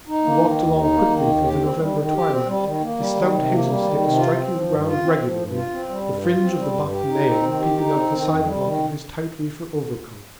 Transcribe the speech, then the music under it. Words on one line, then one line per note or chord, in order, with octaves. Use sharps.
He walked along quickly through the November twilight, his stout hazel stick striking the ground regularly, the fringe of the buff Mail peeping out of a side-pocket of his tight reefer overcoat.
D#4
A#3
D#3
D#2
D#4
A#3
D#3
D#2
G4
C4
G3
D#3
G4
C4
G3
D#3
A#3
G3
D#3
C3
A#3
G3
D#3
C3
F4
C4
F3
G2
F4
C4
F3
G2
F4
C4
G3
G2
F4
C4
G3
G2
G4
D#4
C4
D#3
G4
D#4
C4
D#3
F2
G3
D#3